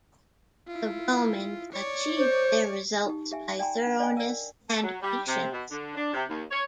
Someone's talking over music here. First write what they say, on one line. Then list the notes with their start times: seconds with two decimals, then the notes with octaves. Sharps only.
The Romans achieved their results by thoroughness and patience.
0.68 E4 F4
1.73 C#5 D5
2.18 C5
3.06 D#4 G4
3.32 G4 E5 G#5
3.59 D5 G5 G#5 A#5 C6
3.82 D4 F#5
4.00 D5 D#5 G5 G#5
4.17 A#4 D5
4.69 A4
4.82 F#3
5.02 G3
5.27 C3
5.51 B2
5.70 D3
5.95 D4
6.13 C3
6.29 D#2
6.50 C#5